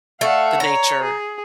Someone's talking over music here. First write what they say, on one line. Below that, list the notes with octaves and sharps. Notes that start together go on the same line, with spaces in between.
the nature
A3 F5 F#5
C#5 A#5
G#4